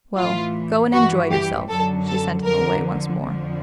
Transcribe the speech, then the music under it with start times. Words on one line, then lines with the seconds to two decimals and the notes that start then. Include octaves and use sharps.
"Well, go and enjoy yourself ..." she sent him away once more.
0.16 A2 E3 F4
0.92 G2 E3 F#4
1.32 G4
1.69 F#2 D3 F#3 A4
2.07 A4
2.45 F2 D3 F3 A#4
3.22 F2 D3 F3